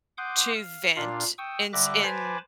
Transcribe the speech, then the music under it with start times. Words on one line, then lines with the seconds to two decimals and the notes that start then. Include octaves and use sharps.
to vent in s in
0.18 F#5 C6 D6 D#6 G6
0.55 F5
0.97 A#2 D4 F4 F5
1.38 G5 C#6 D#6 E6
1.73 D3 G3 E5 D6 F#6 A#6
2.03 B4 C5 G#5 A5 B5 D6